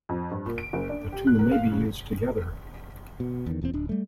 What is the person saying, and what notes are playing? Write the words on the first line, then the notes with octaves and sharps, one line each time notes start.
The two may be used together.
F2
G2
A#2
D7
F#1
D4
G4
F#6
A#4
F5
C#3
B2
E2 D#3
E1 E2 G#2 C4
D1 D4
G3 A3